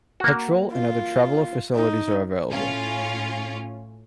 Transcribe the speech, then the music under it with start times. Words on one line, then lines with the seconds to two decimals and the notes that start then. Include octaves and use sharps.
Petrol and other traveller facilities are available.
0.20 A#3 F#4
0.72 F4
1.75 D#4
2.50 A2 C#4 F4